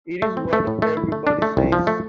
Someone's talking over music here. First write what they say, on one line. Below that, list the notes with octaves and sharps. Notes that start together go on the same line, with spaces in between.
It is what everybody says.
A3
C4
A3
A2
A3
E4
A3
D4
A3
C2
F3
A3